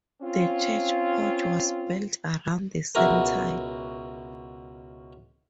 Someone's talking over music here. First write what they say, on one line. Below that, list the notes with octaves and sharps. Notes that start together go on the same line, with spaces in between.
The church porch was built around the same time.
C4 C#4 F4
C#2 B2 E4 F#4 A#4 B4